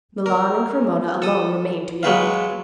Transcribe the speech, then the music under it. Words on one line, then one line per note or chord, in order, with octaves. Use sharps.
Milan and Cremona alone remained to be occupied.
A#4
A4 D#6
F#3 G#3 B4 F5